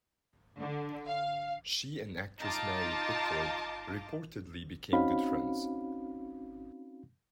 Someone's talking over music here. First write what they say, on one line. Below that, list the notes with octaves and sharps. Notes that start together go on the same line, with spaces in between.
She and actress Mary Pickford reportedly became good friends.
D3
F5
D#4 F4 A5 D6
C4 C#4 D#4 F#4 F5 B5